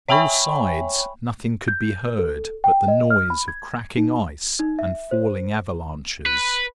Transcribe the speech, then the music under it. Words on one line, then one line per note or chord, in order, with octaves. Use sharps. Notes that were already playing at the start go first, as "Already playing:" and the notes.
On all sides nothing could be heard but the noise of cracking ice and falling avalanches.
C#5 E5 G5 G#5 B5 C#6
G6
A4
G5
D#5
F6
B5
G#6
D#4
D#4
E5
C5
B4